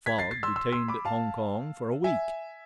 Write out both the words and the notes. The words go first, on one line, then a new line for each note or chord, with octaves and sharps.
Fogg detained at Hong Kong for a week!
G#6 B6
A6 C7
A6 C7
C6 E6
C6 E6
C6 E6
B5 D6
F5 A5
E5 G#5